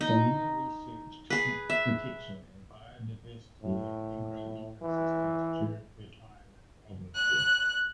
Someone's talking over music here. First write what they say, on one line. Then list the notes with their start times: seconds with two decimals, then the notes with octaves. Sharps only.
Garner researched crop protection and biodiversity in agroecosystems during her time at Rothamsted.
0.01 D#4
1.30 G#4 B4
1.70 E5
3.63 A2
4.82 E3
7.15 F#6